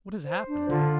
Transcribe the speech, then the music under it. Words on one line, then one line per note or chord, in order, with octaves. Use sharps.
What has happened?
C5
D4
D3 F4